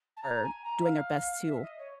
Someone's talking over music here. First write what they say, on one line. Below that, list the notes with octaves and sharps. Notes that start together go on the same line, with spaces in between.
are doing their best to
A5
A#5
G#5
A#5
E5
F5
E5
D#5
C#5